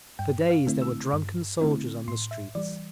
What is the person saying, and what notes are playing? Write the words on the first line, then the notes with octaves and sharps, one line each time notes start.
For days there were drunken soldiers on the streets....
G2 G5
F5
D3 A3 C4 E4
E6
G2
D3 A3 C4 E4
A2 C6
E5
E3 G3 D5